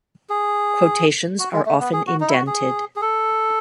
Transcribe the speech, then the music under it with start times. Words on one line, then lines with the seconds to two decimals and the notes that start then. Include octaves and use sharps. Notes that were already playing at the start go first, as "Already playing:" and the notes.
Quotations are often indented.
0.30 G#4
1.39 F#4
1.52 G#3
1.66 A3
1.80 B3
1.93 G#4
2.07 F#4
2.20 D#4
2.28 E4
2.33 F#4
2.47 G#4
2.96 G#4
3.02 A4